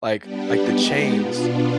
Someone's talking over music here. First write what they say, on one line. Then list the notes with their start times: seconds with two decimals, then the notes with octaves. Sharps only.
like like the chains.
0.21 G3 B3 D4 G4
0.67 G#3 B3 D#4 G4
1.15 B2 B3 D4 F4